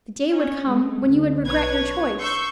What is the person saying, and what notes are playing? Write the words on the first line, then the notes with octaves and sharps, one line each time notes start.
The day would come when you would regret your choice.
C#4
G#3 A3
D2
B1 D4 B4 C#5 G#6
C6 C#6 E6 G6